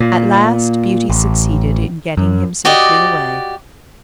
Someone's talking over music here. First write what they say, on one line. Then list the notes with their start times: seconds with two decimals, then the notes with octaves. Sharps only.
At last Beauty succeeded in getting him safely away.
0.01 A#2
1.10 A1
2.17 F#2
2.65 F#4 G4 D5 D#5